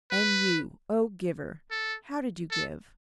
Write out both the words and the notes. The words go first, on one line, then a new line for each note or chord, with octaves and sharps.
And you, O giver! how did you give?
B4
A4
A4